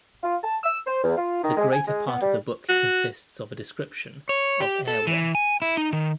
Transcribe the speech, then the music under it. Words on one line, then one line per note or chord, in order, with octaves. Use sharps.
The greater part of the book consists of a description of Erewhon.
F4
A5
E6
C5
E2
F4
D#3
G#3
G#5
G#3
B3
G3
F#4
C#5
G4
A4
E3
G#5
E4
D#4
D#3